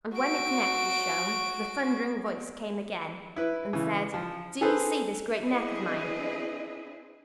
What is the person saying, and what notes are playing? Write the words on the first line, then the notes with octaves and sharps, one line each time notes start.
And when its neck was shown, the thundering voice came again and said: "Do you see this great neck of mine?"
F#4 D7
E4 B4
C#3 E3
F3
G#4 A4 B4 C5
C4 D4 E4 G#4 B4 D#5